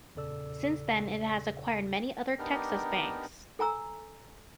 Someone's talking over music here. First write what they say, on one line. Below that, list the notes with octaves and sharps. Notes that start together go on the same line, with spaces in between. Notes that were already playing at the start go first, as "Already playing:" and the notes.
Since then it has acquired many other Texas banks.
E2 A#2 C#3 A4 D5 E6
B3 D4 D#4 G4 A#4
A4 G#5 A#5 E6